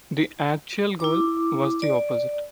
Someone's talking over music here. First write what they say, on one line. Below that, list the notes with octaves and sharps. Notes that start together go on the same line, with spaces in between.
The "actual" goal was the opposite.
E4 D6
D5